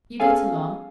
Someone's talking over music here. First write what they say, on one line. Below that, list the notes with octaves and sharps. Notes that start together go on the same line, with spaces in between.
You get along.
B3 C#4 G#4 A4 F5 G#5